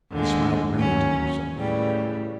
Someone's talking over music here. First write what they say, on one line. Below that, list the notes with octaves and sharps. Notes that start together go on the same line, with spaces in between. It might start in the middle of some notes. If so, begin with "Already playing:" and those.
He smiled grimly to himself.
D#2 D3 G#3
D#2 F#3 C#4
A2 C#3 E3 G3